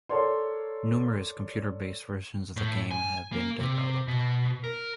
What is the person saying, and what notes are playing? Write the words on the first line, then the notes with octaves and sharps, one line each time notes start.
Numerous computer based versions of the game have been developed.
A4 A#4 C#5 D5 C6
A2
G#5
A#3
C3
B2
A#4